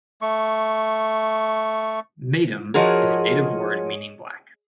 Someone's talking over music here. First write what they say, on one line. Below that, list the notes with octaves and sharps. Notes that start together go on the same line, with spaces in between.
"Maitum" is a native word meaning black.
A3 C#6
F3 F#4 G#4 A#4 C#5 D#5